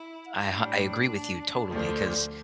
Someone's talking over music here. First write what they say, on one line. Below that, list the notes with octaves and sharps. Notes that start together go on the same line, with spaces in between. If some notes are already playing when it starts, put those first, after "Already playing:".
I h I agree with you totally 'cause,
Already playing: E4
A2 G3 D4
D2 D3 F3